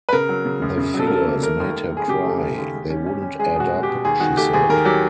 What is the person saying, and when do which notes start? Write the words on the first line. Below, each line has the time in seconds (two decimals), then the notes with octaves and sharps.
The figures made her cry. They wouldn't add up, she said.
0.09 B4
0.13 C#3 A#4
0.29 F#3
0.45 C#3
0.62 F#2
0.77 C#3
0.94 F#3
0.99 A4
1.07 A#4
1.11 F#3 A4
1.26 A#3
1.43 A3 A#4
1.60 D#2
1.76 D#2
1.93 D#2 G#4
2.08 C#3 G4
2.25 A3
2.41 C#3
2.58 D#2
2.74 G#3
2.90 C#4
3.06 C#4
3.22 C#4
3.39 G#3 G#4
3.55 B2
3.60 F#4
3.72 G#3
3.83 B2 G4
4.05 D#2 G#4
4.20 D#3 F#4
4.37 A3 G4
4.53 D#2 G#4
4.69 D#3 A#4
4.85 F#3 G4